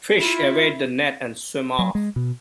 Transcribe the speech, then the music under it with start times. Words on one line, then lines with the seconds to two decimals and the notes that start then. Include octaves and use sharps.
Fish evade the net and swim off.
0.19 E4 F4
1.79 F#3
1.95 G#3
2.16 B2